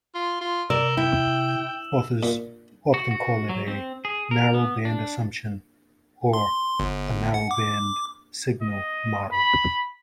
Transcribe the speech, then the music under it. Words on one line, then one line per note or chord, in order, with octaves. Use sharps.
Authors often call it a "narrowband assumption", or a narrowband signal model.
F4
F4
C3 A#4 D5 E6 E7 F#7
E4 G5
A#2
F#4
F#4
F#3
C4
G#4
A#4
B3
D4
C6
G1
F#5
D6
D#5
B5